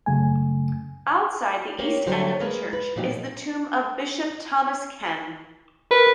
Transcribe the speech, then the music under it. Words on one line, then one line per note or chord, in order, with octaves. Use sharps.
Outside the east end of the church is the tomb of Bishop Thomas Ken.
F#2 C#3 A3 G#5
A#3 G4 C#5
D3 F#3 G3 C5 C#5 G5
G#3 A#3 A#4 B4
B4
A#2 F3 F#3 B3 D#4 G4
A#4 B4